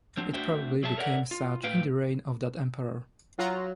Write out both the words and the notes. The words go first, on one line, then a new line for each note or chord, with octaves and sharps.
It probably became such in the reign of that emperor.
F3 F#3 C4 D4
A3 D4 F#4 C5 E5 G5
F#3 G#4 E5 A5
A4 A#4 C#5 D5 E5 F#5
F4
A2 C4 B4 F5 G5
F#3 F4 F#4 A#5